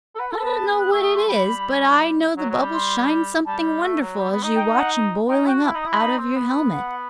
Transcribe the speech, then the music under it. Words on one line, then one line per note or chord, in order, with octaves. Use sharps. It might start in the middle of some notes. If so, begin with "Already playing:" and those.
"I don't know what it is, but I know the bubbles shine something wonderful as you watch 'em boiling up out of your helmet."
A4
B4 F#5
A4
A5
B3
F#6
A3 E6
D#6
C6
G3 B5
F#3
F#3
G3
C6
G3 A5
A3
F#3
G3
B3
D#4
G5
F#5
D#4 G5
F#4 G5
E4 A5
D#4 B5
D#6
E4
B5
D#4
C4
B3
F#5